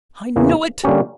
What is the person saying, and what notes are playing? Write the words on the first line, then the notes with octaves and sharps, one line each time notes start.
I knew it.
E2 C#3 E3 A#3
D3 G3 A#3 C#4 G4